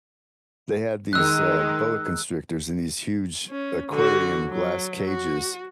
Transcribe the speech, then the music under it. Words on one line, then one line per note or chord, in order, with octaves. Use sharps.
they had these, uh, boa constrictors in these huge aquarium, glass cages,
D#3 G#3 D#4 E6 F#6
C#4
D3 F#4
F#3
F#4